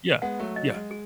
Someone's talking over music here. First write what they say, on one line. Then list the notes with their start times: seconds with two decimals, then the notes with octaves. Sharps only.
yeah, yeah.
0.22 G#3 B3 F#5
0.39 F#3 A3
0.56 F#3 D#5
0.74 G#3
0.91 G#4